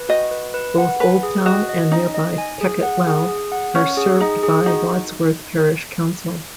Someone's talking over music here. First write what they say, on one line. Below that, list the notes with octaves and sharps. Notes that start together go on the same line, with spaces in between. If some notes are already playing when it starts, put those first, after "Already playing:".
Both Old Town and nearby Pecket Well are served by Wadsworth Parish Council.
Already playing: B4
F#4 D#5
B4
B4
F#5
B4 G#5
G#4
F#4 D#5
D#5
C#4 D#4
D#5
G#5
G#4
F#5
G#4
G#4
F#5
C#4 F#5
G#4
D#4 G#4
G#4
D#4 F#4